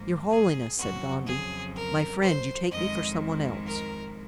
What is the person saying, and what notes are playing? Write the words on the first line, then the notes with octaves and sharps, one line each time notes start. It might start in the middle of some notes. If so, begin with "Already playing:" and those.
"Your holiness!" said Gondy; "my friend, you take me for some one else."
Already playing: G#2 F3 A#3
G#4
F2 C#3 F#3 F#4
G#4
A#4
C5
F2 D#3 G#3 D#5
A#4